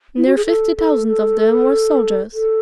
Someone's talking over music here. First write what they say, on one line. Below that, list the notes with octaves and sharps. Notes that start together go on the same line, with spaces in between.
Near fifty thousand of them were soldiers.
E4
F#4
G#4
A4
A4
A4
A4